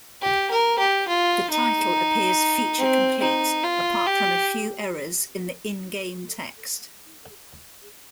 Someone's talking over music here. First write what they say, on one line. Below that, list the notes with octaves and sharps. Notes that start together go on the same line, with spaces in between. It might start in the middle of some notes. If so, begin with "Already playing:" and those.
The title appears feature-complete, apart from a few errors in the in-game text.
G4
A#4
G4
F4
D#4
C4
D#4
F4
G4